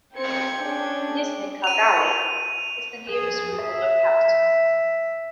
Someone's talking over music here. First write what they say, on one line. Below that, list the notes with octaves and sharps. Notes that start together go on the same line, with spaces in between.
Nizhniye Kargaly is the nearest rural locality.
C4 G5 G#6 C#7
C#4 D4 G#4
D#7 F7
G#4
E5